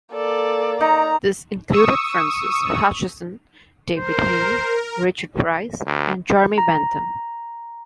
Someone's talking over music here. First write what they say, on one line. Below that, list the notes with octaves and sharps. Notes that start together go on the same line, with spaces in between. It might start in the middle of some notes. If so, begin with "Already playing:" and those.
These included Francis Hutcheson, David Hume, Richard Price, and Jeremy Bentham.
A#3 A4 D5
D#4 A#5
C#6 D#6 E6
A#4 C5
D2
A#5